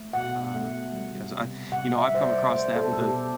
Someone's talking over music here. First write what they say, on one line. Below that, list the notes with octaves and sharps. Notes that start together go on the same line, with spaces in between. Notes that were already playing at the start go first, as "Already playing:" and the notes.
uh, because I you know, I've come across that with a
Already playing: A3
B2 F#5
A3
G3
C3
C3 F#5
E5
G3 C5
D5
A3 C5
A4
B2
A4
G4